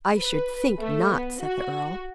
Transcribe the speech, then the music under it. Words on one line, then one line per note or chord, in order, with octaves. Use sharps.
"I should think not," said the earl.
B4
A3
B3
F#4